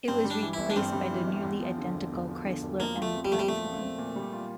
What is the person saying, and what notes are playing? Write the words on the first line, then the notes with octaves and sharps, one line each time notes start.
It was replaced by the nearly identical Chrysler M platform.
G2 C4
G3
D4
E3
E4
G1
D4
G2 C4
G3
E3
G1
E2
F3
D3
E1
E2
F3
D3
E1
F3 A#3
A3 F4
C4
G3
A#2 A3
G3
F3 A3
F4
C4
A#2
G3
F4